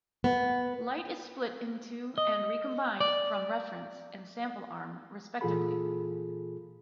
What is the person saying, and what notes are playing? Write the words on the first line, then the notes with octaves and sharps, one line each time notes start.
Light is split into and recombined from reference and sample arm, respectively.
B3
D#5
D5
A#2 E3 F4 G#4 A4 B5